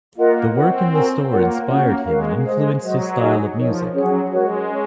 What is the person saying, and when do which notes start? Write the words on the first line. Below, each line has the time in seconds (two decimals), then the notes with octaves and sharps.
The work in the store inspired him and influenced his style of music.
0.17 A#3 F4 A#4 D#5 F#5
0.55 C4 A#4 C#5 F#5
0.93 F#4 A#4 C#5 G#5
1.31 A#3 F4 A#4 C#5 F#5
1.68 A#3 C#4 F#4 C#5 F#5
2.06 G#3 F#4 A#4 F5
2.44 G#3 G#4 C5 D#5
2.81 F#3 F#4 C5 D#5
3.20 D#4 G#4 D#5 G#5
3.56 F3 D#4 A#4 C#5
3.94 F#3 C#4 G#4 C#5 F#5
4.32 G#3 F#4 A#4 C#5
4.69 C#4